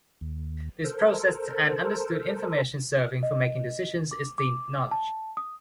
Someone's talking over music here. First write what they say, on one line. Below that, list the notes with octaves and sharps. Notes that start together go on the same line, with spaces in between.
This processed and understood information serving for making decisions is deemed knowledge.
D#2
A4 A#4 C5
D#5
D6
D6
A5
D#6